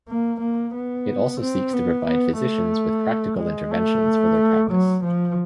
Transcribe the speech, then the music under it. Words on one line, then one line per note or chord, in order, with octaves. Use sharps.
It also seeks to provide physicians with practical interventions for their practice.
A#3
A#3
B3
C4
B3
B3
A3
G#3
A3
F#3
F3